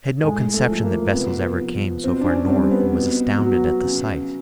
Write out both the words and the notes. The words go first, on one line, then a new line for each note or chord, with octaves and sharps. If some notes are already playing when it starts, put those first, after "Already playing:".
I had no conception that vessels ever came so far north and was astounded at the sight.
A2 G#3
A3
F3
A#3
C3 B3
F3
B2 C4
D4
C#4
G3 C4
B3
B2
F#3
C#3